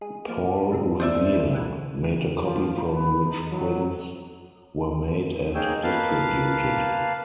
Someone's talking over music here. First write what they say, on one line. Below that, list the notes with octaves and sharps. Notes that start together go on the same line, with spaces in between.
Paul Revere made a copy from which prints were made and distributed.
G#3 G#4
F3 A#3 D6
G2 C3 G#3
C5 D5 E5
E3
E3 F#5 D#7
F3
B4
D#4
F#3
A#3 D#4 G#4 C#5 G5 E6
A#3 B4 F5 A5